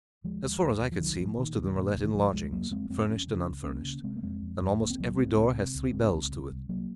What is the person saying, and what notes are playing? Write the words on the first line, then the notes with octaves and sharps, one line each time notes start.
As far as I could see most of them are let in lodgings, furnished and unfurnished, and almost every door has three bells to it.
D#2 F3 G#3
D#2
D#2
D#2
F3
C2 D#3 F#3
A#2 F3
A#2 D#3
C2
A#2
C2
D#3
C2 F3
C2 F3 G#3
F2 F#3 A#3
F2 G#3 C4
F2 G#3 C4
F2 C#4
C#3
C#4
C#2
C#2 A#3 C#4
C#3
C3 G#3 C4
A#3
F2 G#3 C4
F2
F2
C#2 A#3
C4
C#2 F#3 A#3
C#2 G#3 C4
C#2
C3
C#2
C#2 G#3 C4
C#2
C2
C2
C2 F#3 A#3